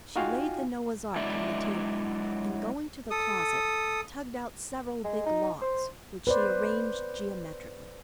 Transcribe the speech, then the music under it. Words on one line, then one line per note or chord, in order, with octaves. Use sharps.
She laid the Noah's ark on the table, and going to the closet tugged out several big logs, which she arranged geometrically.
D#4 F4 F#4 F5 G5 G#5
F#3 G#3 D4 E4 D5 E5
A4 D#6
G#3
D#4
C5
B4 C5 D5